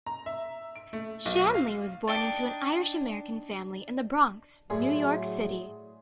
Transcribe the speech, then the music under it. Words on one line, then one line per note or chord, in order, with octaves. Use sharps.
Shanley was born into an Irish-American family in The Bronx, New York City.
A#5
E5
D7
A3
B1
F5
D4 D#4 G5 D6
A2 F#3 G#4 D5 G#5 C6